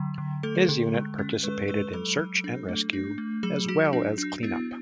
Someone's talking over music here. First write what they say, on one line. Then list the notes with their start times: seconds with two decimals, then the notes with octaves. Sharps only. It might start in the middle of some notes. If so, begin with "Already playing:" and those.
His unit participated in search and rescue as well as clean up.
Already playing: D3 F#3
0.18 D3
0.43 A3 A4
0.55 G#4
0.68 D3 A4
0.94 G#3
1.18 C#4
1.43 G#3 B4
1.68 G#3 B4
1.93 F#3 A4
2.19 F#3
2.44 D4
2.69 A3
2.93 D4
3.18 A3
3.43 F#3 G#4
3.68 F#3 F#4
3.93 D4
4.18 D4
4.43 B3 E4